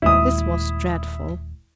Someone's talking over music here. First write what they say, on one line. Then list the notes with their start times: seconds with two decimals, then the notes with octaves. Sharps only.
This was dreadful.
0.02 D#1 D#2 G#3 E4 D#6